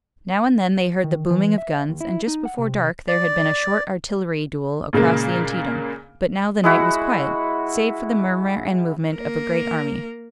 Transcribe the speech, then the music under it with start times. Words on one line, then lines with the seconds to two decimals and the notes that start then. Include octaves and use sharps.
Now and then they heard the booming of guns, and just before dark there had been a short artillery duel across the Antietam, but now the night was quiet, save for the murmur and movement of a great army.
1.04 D#3
1.30 E3
1.58 E5
1.89 D#2
2.01 E4
2.27 D#4
2.45 F#5
2.58 C3
3.08 D5
4.93 A#2 C#3 G#3 A#3
6.64 G#3 E4 F#4
9.15 A#3 A#4